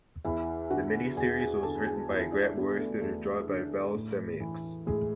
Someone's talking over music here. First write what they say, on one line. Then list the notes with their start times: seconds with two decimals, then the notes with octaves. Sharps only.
The mini-series was written by Grant Morrison and drawn by Val Semeiks.
0.25 E2 E4 E5
0.70 D3 F#4 F#5
1.16 E2 G#4 G#5
1.40 G#4 G#5
1.63 D3 A4 A5
1.86 G#4 G#5
2.09 E2 E4 E5
2.32 D4 D5
2.56 D3 B3 B4
2.78 A3 A4
3.02 E2 A3 A4
3.48 D3
3.95 A2
4.40 E3
4.86 A2 G#3 G#4